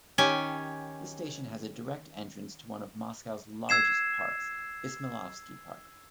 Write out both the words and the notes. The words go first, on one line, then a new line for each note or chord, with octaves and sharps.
The station has a direct entrance to one of Moscow's largest parks, Izmaylovsky Park.
D#3 C#4 G4 G#5
E6 G#6 C7 E7